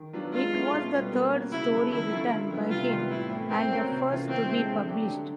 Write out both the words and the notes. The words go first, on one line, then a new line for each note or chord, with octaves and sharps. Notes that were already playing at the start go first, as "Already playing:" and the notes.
It was the third story written by him, and the first to be published.
Already playing: D#3
F#3 B3 D4 F4
G#3 F4
C#4 E4 A4
B2
G3 B3
A#3
C#4 F#4
C#3 E4
F#3 B3 E4 A4
D#3 E4
F#3 A3 C#4 F4
D3
G3 B3 E4
C3 F4
D#3 G3 B3
A2 E4
E3 A3 C4 E4
A#3 C4
C#4 F#4 A#4 C#5
C3
E3 A3 C#4 F4
D#3 C4
G#3 C#4 E4 A4
D3
F#3 A3 D4 G4
D3